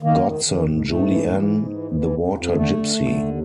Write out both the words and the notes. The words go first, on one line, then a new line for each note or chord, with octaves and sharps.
Godson, Julie Ann, The Water Gypsy.
D#3 A#3
D#3
D#3
G#2
G#2 A3
E3
E3
G#2
E3
E3
F2
F2
D3 A3
D3
D3
D#2